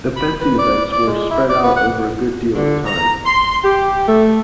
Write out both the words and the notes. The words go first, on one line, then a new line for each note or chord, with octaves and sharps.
The fencing events were spread out over a good deal of time.
B5
B4
D5
D5
G#3
E4
D5
B3
F#5
D3
A#5
C6
G4
A3